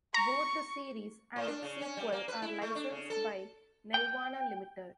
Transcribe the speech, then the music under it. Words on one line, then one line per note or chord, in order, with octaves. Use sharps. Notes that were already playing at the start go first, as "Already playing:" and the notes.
Both the series and its sequel are licensed by Nelvana Limited.
A#5 C#6
A2
D4
C#3
C#4
G3
A#3
B4
E4
A3
D4
C#3
A4
G5